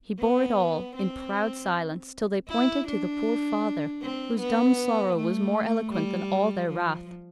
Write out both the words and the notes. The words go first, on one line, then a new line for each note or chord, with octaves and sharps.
He bore it all in proud silence till they pointed to the poor father, whose dumb sorrow was more eloquent than all their wrath.
B3
C4
E4
D4
C4
B3
A3
G3
F3